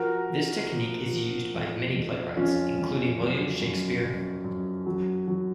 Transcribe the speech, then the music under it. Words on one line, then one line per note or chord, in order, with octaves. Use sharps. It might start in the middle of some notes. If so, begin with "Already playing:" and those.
This technique is used by many playwrights, including William Shakespeare.
Already playing: F3 F#4 A#4
F3
F3
F3
F2
F2
F2 C#4 F4
F2
F#3
F#2
F#2
F#2
F#3
F#3